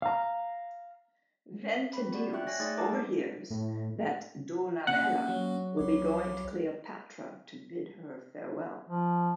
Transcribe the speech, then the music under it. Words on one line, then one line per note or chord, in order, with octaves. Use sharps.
Ventidius overhears that Dolabella will be going to Cleopatra to bid her farewell.
F5 A#5
C4 B5
F#4 D5
E5 G5 C#6 F#6
C#5 E5 G#5 F#6 A#6
A3 D#4 G#4 D5 C6 A6
D#4 A#4 A5 D6
A2
A#3 C#4 F#5
F#3
C2 C#5 D6
F3